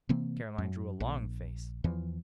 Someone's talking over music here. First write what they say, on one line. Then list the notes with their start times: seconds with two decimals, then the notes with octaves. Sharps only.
Caroline drew a long face.
0.09 C3 E3 A#3 C4
0.58 F#2
1.00 A#1
1.84 E2 E3 F3